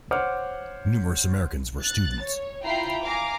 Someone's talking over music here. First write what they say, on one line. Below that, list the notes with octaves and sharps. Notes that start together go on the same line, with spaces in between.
Numerous Americans were students.
C5 C#5 F#5 D6 F6
F#6 A6
C#5
E4 F4 G5 A#5 B5 C7
F5 G#5 A#5 D6